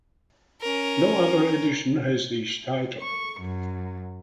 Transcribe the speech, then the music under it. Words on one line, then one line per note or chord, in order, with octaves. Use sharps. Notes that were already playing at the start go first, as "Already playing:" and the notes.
No other edition has this title.
C#4 A#4
C#6
F#2